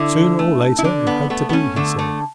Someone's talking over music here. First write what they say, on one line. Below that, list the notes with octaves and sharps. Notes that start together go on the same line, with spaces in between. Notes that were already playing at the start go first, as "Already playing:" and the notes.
"Sooner or later it had to be," he said.
Already playing: D3 E4
A3
E4
D3 D4
B3
A3 B3
B3
C#4
D3 A3
A3